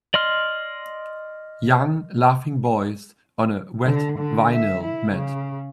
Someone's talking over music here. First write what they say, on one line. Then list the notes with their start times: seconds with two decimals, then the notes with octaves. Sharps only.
Young laughing boys on a wet vinyl mat.
0.14 D5 D#5 C6 F6
3.85 D3
4.18 D3
4.54 E5
4.83 E4
5.13 C#3